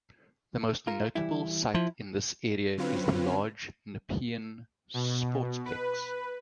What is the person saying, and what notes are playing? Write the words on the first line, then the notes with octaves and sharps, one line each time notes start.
The most notable site in this area is the large Nepean Sportsplex.
F4 A#4
E3 G3 E4
F3 E4
D3 F#3 C4 C#4 F4 B4
B2
B4